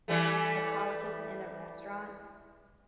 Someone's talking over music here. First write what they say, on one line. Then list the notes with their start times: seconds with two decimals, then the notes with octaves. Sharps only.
the politics in a restaurant,
0.08 E3 G3 A3